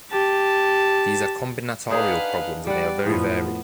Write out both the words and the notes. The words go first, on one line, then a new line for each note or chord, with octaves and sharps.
These are combinatorial problems and they are very varied.
G4 A5
D4 D#4 G#4 B4 F5 F#5
G3 D5 F#5
F2 A2 F3 B3